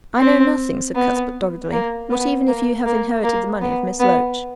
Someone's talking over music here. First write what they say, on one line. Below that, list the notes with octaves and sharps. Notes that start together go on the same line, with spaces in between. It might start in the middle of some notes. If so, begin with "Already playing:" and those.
"I know nothing," said Cuthbert doggedly, "not even if you have inherited the money of Miss Loach."
C4
B3
A#3
B3
A#3
A#3
A#3
B3
B3